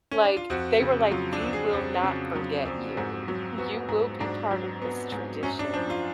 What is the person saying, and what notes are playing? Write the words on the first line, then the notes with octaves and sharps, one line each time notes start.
Like, they were like, "We will not forget you. You will be part of this tradition."
C#4
D4
F4
F2 F#4
C#3
F#3 F4
D4
F2
G#4
F2
C#3
F#3
F2
G#2 F#4
F#3
B3 F#4
G#2
G#2 D4
F#3
B3
G#2
F#2 C#4
D4
F3 D4
F4